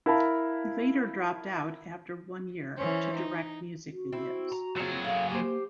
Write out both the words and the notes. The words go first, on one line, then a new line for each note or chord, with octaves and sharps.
He later dropped out after one year to direct music videos.
E4 A#4 F5 A5 B5
E3 C#4 C5
D#4
F#4
C4 E4
A#5
F#3 C4 F4 G#4
A3 A#3 F5
A#3 G4 C5